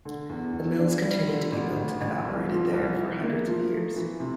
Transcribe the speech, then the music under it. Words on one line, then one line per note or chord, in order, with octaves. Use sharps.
The mills continued to be built and operated there for hundreds of years.
D3
E2
E2
D4
G3
D3
A1
A1
A1
C2
F3
C2
E4
A#3
F3
A3
E3
C3